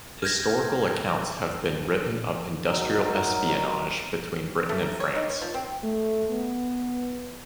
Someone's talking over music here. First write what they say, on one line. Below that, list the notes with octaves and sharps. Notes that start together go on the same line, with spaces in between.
Historical accounts have been written of industrial espionage between Britain and France.
F6 G6 G#6 A#6
F#3 D#4 A#4
A3
A#5
C#5
D#4
C#5
F3
C4
A3
B3